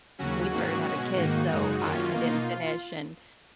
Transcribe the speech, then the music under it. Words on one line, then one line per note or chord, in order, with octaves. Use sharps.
we started having kids, so I I didn't finish, and
D#2 C#3 F#3 C#4 F#4
G#2 D#3 F#3 A#3 C#4 F#4
B2 G#3 C#4 F#4
G#2 D#3 A#3 D#4
F#2 C#3 G#3 D#4
F#2 D#3 A#3 C#4 F4
B2 A#3 D#4